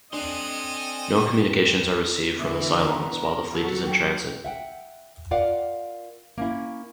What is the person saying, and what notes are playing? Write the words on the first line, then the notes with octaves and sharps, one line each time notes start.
No communications are received from the Cylons while the fleet is in transit.
C4 D4 A4 D#5 G#5 C6
D3 E3 E5
B3 A#5
A#4
F#3 F#4 A4
G5
E5 F#5 G5
F4 A#4 D5 F5 F#5
A#3 C#4 E4